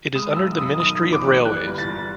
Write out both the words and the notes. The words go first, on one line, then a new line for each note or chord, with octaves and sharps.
It is under the Ministry of Railways.
G#3 D#6
B1 E6
B1 D#6
D#3 D#6
A#1
D6
G3
E3 F#6
G1
A6
G3